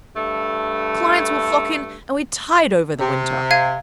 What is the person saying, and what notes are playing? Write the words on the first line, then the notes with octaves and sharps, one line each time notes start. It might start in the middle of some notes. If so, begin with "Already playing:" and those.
Clients will flock in; and we tide over the winter.
G2 A3
C3
F5 G#6 D#7